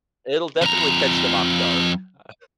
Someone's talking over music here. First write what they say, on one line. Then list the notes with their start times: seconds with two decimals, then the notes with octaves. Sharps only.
It'll definitely catch them off guard, uh
0.62 F2 A#5